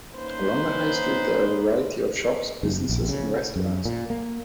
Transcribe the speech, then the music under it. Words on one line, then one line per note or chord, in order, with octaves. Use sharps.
Along the High Street there are a variety of shops, businesses, and restaurants.
A#3 C#4 D#4 B4 C5
F#1
A#1
C#3
F#2
A#2
A#3